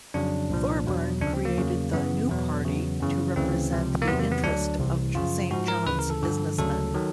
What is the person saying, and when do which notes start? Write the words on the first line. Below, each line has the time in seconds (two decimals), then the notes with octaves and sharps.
Thorburn created the "New Party" to represent the interest of Saint John's businessmen.
0.14 F2 C#3 F#3 D4
0.50 C2 A#2 F3
0.86 E2 B2 F#3
1.21 D2 C#3 F3 D4
1.34 C4
1.45 A#3
1.57 E2 C#3 F#3
1.93 F#2 C#3 E3 B3
2.29 E2 B2 F#3
2.65 E2 C#3 F#3
3.00 F#2 C#3 E3
3.36 D2 C#3 E3 C4
3.72 C#2 C3 F3
4.02 A#3
4.07 E2 C3 D#3 F#3 B3
4.19 A#3
4.31 B3
4.44 D2 D3 F#3 D4
4.79 C2 C3 E3
5.15 F#2 C#3 F3 F4
5.51 G#2 F3 F#4
5.68 A#4
5.86 D2 C#3 E3 B4
5.99 A#4
6.10 A4
6.22 G2 D3 F3
6.58 D2 C#3 F#3 A4
6.94 D#3 F#3